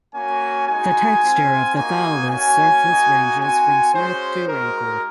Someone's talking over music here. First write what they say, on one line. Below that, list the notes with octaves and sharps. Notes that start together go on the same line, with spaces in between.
The texture of the thallus surface ranges from smooth to wrinkled.
A#3 C#4 F#4 G#5
G#3 D#4 F#4 G#5
C4 F4
A#3 D#4 F#4 G#5
A#3 C#4 F#4 G#5
A#3 D#4 F#4
C4 F#4 G#5
G#3 C#4 F#4 C5
G#3 D#4 F#4 A#4